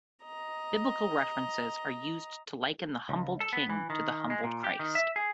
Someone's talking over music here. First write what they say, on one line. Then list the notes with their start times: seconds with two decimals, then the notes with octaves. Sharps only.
Biblical references are used to liken the humbled king to the humbled Christ.
0.24 D#5 A#5
3.09 C#2
3.40 A4
3.53 B3
3.69 E3
3.90 D#3
4.30 G#3
4.44 A#2
4.64 G4
4.79 D#3
4.95 E5
5.16 G#4